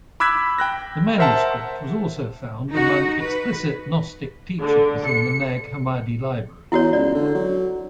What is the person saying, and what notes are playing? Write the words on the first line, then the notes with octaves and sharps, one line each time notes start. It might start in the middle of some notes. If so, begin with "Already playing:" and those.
The manuscript was also found among explicit gnostic teachings in the Nag Hammadi Library.
B5 D6 E6 F#6 G#6 B6
G5 F#6 A#6
A#4 C5 E5 F#5 A5
D#4 F#4
B4
D3
C#7
E2 E4 F#4 C#5
C#2 D5
D3
F#3